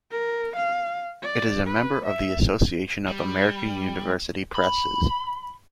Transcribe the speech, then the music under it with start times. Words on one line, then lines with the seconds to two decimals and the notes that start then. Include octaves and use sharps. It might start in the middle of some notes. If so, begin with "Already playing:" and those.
It is a member of the Association of American University Presses.
0.11 A#4
0.56 F5
1.24 D5
1.67 B4
2.06 E5
3.08 G3
4.55 B5